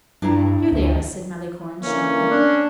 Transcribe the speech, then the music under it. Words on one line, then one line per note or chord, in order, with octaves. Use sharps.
"Here they are," said Malicorne, showing them.
G2 D4 E4 A#5
D2
D3 E3 A#3 C#4
D4